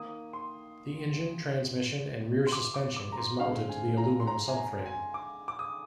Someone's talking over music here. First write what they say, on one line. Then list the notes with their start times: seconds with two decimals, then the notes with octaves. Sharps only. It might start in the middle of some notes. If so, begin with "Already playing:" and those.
The engine, transmission, and rear suspension is mounted to the aluminum subframe.
Already playing: D#3 A#3 D#6
0.33 C6
2.47 C6
2.52 D6
2.74 D6
2.96 D6
3.12 A#5
3.18 C6
3.40 D3 G#3 C4 F5
3.70 G#5
3.98 A#5
4.20 C6
4.27 A#5
4.48 G#5
4.57 A#5
4.86 G#5
5.14 D6
5.48 D6
5.59 D#6